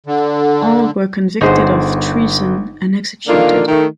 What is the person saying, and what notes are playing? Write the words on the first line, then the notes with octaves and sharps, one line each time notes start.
All were convicted of treason and executed.
D3
G1 D#4 G#4 C5 C#5 F#5
D3 D#3 A#3 F4 A#4
D#3 A3